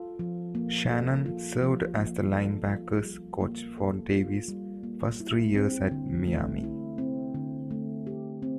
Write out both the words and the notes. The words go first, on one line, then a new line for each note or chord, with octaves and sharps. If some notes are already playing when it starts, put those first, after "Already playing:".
Shannon served as the linebackers coach for Davis' first three years at Miami.
Already playing: F4 A4
F3
A#3
A4
F4
F3
A#3
A4
F4
G3
A#3
A4
F4
G3
A#3
E4
C4
D3
A3
E4
C4
D3
A3
G4
C4